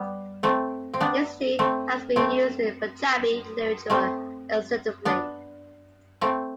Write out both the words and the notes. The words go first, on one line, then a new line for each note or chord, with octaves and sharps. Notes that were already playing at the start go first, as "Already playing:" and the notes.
This tree has been used in Punjabi literature extensively.
Already playing: G3 B3
A3 C4
C4
B3 D4
A3 C4
A3 C4
A3 C4
B3 D4
A3 C4